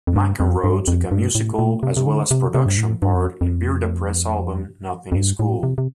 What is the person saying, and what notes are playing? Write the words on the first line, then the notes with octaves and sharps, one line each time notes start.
Mcenroe took a musical as well as production part Birdapres' album "Nothing is Cool".
F2
G2
F2
G2
F2
G2
A2
A#2
C3
C3
D3
C3
C3
G2
A2
G2
F2
F2
F2
G2
A2
C3
C3